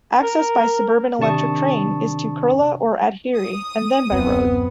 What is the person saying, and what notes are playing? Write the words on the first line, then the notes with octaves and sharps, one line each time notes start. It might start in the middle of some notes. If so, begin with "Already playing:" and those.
Access by suburban electric train is to Kurla or Andheri and then by road.
A#4
C3 D#3 D4 A5 C#6 D#6
D#6
D1 F#2 B3 C4